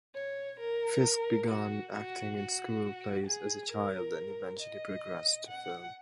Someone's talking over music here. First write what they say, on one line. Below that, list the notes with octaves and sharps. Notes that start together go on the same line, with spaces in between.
Fisk began acting in school plays as a child and eventually progressed to film.
C#5
A#4
F#4
F#4
F#4
G#4
A#4
D#5
F#5